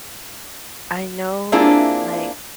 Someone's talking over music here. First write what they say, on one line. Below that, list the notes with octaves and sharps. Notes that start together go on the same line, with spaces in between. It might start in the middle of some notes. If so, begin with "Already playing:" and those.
I know, like,
A#3 C4 D4 E4 F4 G#4